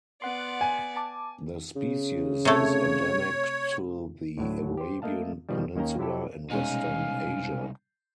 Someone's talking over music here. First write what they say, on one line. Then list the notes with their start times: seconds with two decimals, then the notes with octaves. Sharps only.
The species is endemic to the Arabian Peninsula in Western Asia.
0.22 B3 D5 F#5 C6
0.61 G#5
0.96 A5 D6
1.76 C#3
2.45 C3 A3 C#5
4.37 D2 A2 F#3
4.77 G4 C5
5.02 A3 A#3 D#5 F5 A5
5.49 B2 D#3 F3 G3
5.75 D#2 D#3 A#3 C#4 G5 A#5
5.99 C3 F#3 E4 G4 A4
6.51 C2 B2 G#3 C#4 D#4 F5 G#5